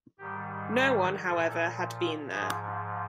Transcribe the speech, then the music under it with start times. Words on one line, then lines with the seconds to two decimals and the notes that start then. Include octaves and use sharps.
No one, however, had been there.
0.18 G#2 D#3 G3 G4
0.73 G#4
1.25 A#2 F3 A4
2.31 G#2 F3 G#4